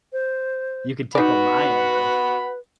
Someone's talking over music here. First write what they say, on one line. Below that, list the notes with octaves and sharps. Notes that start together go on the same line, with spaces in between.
You can tickle my ankles.
C5
D#4 F#4 B4 D5 F#5 B5